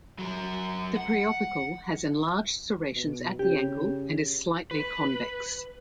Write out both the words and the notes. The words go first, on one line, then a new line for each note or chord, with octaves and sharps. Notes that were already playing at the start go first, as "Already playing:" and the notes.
The preopercle has enlarged serrations at the angle and is slightly convex.
F#3 A#4
F#5
B2
C#3 G4
B4